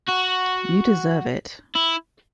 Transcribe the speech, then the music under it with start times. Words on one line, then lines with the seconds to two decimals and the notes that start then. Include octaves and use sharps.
You deserve it.
0.08 F#4
1.76 E4